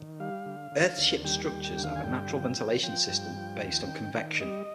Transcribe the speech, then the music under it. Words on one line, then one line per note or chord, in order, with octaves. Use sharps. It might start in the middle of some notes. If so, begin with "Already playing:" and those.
Earthships structures have a natural ventilation system based on convection.
Already playing: D#3
G3 F5
D3
D3
D#2
G3 G5
G5
D#2
G5
D3
F5
G#5
G2 G5
F3
F3
F3 G5
G2
F3
D#2
D#3
D#3
G3 D#5